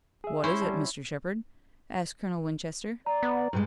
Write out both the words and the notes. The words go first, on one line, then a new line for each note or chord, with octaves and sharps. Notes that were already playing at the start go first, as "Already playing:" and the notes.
"What is it, Mr. Shepard?" asked Colonel Winchester.
G#4 E5
C#4 E4 C5
G3 A5
D5 A#5
B3
G2 G3 G#3